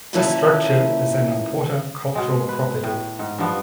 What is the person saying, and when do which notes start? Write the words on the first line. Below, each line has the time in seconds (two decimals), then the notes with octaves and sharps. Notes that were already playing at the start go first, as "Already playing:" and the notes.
This structure is an Important Cultural Property.
0.13 D#2 A#2 E3 C#4 E4 A5
2.15 B2 G#3
2.49 B4
2.84 A2
3.19 G#2
3.38 G2 F3 B3